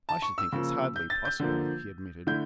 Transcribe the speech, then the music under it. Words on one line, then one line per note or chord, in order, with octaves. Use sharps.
"I should think it hardly possible," he admitted.
A5
C#6
E6
C#3 F3 A#3
G6
A6
G6
D3 F3 A#3
D3 A3 E4 G6